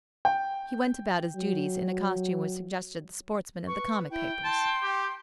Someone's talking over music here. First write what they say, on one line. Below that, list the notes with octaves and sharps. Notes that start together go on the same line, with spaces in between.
He went about his duties in a costume which suggested the sportsman of the comic papers.
G5
F#3
B4 C#6
E4 G5
A5 C6
G4